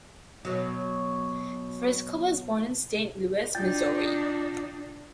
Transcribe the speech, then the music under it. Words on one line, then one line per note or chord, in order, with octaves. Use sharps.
Frisco was born in Saint Louis, Missouri.
B2 F#3
D4 D#4 F4 G5 G6 A6